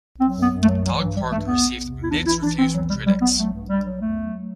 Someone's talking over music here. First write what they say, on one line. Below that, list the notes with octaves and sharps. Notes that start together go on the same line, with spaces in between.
Dog Park received mixed reviews from critics.
F#3 C4
F#2
B3
F#2
A3
F#3
E3 F#3
G2 F#3
E3 G3
G2 A3
E2 B3
E2
C3
E2
E4
E3 D4
E3 E4
E3 D4
E3 C4
E2 F#3
C3 G3
F#3 G3
F#3 B3
F#3 A3
G2
G2 G3
F#3
E2 A3
F#3